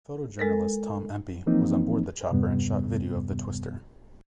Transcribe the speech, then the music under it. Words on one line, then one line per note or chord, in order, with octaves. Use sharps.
Photojournalist Tom Empey was on board the chopper and shot video of the twister.
G#3 A4 A#4
E3 F3 A#3 C4 D#4
E2 G2 C3 G3 B3